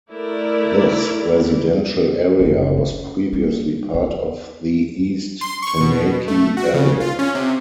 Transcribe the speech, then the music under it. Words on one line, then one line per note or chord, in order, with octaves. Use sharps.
This residential area was previously part of the East Tamaki area.
A3 E4 A#4 D5
F#1 F#2
C#4
G3 A#3
B3
C6
C#6
B2
A3
F#4
C#3
F4
C#4
C3